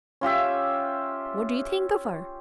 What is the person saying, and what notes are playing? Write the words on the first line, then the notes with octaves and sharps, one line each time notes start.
What do you think of her?'
C#4 F4 G4 E5